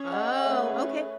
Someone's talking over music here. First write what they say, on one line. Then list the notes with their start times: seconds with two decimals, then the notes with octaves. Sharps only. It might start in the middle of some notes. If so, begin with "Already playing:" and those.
Oh, okay.
Already playing: C#4 G#4 C#5
0.12 D#5 F#5
0.39 F#5
0.44 A3 C#4 G#4 B4 C#5 E5